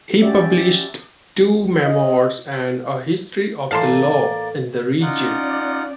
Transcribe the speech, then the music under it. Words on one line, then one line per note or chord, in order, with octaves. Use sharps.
He published two memoirs and a history of the law in the region.
C#4 F#4 G4 D5 E5
D#5
A2 E3 A#3 D5 F5 A5 C6
C#4 D#4 F4 D5 F#5